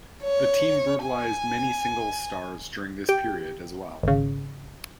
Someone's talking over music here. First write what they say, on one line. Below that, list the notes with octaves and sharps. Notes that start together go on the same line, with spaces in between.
The team brutalized many singles stars during this period as well.
C#5
G#5
G4 G5
G#1 C#3